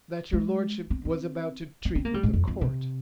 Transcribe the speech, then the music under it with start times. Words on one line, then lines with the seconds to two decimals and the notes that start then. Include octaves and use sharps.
"That your lordship was about to treat with the court."
0.33 G#3
0.90 C4
1.05 C4
1.85 C4
1.95 C4
2.05 A#3
2.14 G3
2.23 G#2
2.33 F2
2.47 F2
2.61 C3